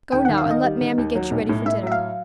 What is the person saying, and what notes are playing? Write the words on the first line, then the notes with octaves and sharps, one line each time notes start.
"Go now and let mammy get you ready for dinner."
D#2 G5
D#3 F#5
F5
D#3 D#5
G3
D#3
D#2
F#3
B1
A2
A2 E5
F#3 E5
F5